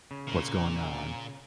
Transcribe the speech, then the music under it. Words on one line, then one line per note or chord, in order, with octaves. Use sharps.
what's going on
C#3
A#2